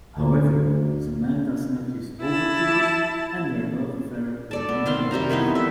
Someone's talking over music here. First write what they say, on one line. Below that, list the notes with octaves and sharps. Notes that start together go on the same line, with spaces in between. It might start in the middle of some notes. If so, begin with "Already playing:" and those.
However, Samantha snubbed his overtures and their love affair remained in balance.
D2
E4 A5
A4 D5 A5
B3
D#3 C4 F5 C6
C3 G3 C5 A#5
D#3 E3 B3 D#4
A4 E5